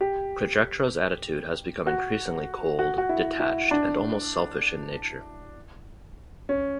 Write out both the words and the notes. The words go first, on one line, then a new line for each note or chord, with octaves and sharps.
Projectra's attitude has become increasingly cold, detached, and almost selfish in nature.
G4
F#4
F#4
F#4
E4
E4
D4
C#4